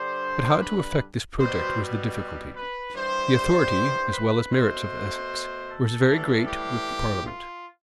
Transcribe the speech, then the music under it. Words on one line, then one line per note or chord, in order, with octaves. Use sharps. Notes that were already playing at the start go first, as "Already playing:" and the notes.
But how to effect this project was the difficulty. The authority, as well as merits, of Essex was very great with the parliament.
Already playing: G2 D3 G3 C5
B4
B2 G3 C5
B4
G2 E3 G3 C5
B4
B2 A3 C5
A4
A2 E3 G3
G4
F4